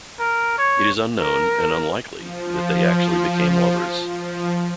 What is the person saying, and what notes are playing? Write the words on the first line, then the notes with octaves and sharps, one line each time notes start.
It is unknown, and unlikely, that they actually became lovers.
A#4
C#5
A#4
F3
F3